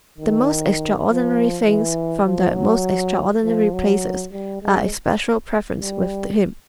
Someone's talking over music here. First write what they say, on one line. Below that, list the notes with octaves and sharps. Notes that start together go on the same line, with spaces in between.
The most extraordinary things from the most extraordinary places are especial preferences with him.
D#3
F3
E3
F3
F#3
F3
F#3
G3
G#3
G3